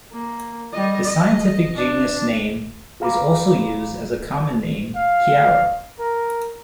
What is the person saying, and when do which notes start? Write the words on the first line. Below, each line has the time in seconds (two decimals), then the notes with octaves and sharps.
The scientific genus name is also used as a common name Kerria.
0.11 A#3
0.73 G3 D#5
1.04 D#5
1.75 D4
3.00 F4 G#4 F5 A#5 B5 D6
4.96 F5
5.99 A#4